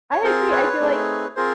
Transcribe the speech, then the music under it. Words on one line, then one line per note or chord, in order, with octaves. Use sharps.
I agree. I feel like
C#5
C4 F4 G#4 A#4 C5
B4 C#5
A3 C4 D#4 G#4
C4 F4 G#4 A#4 C5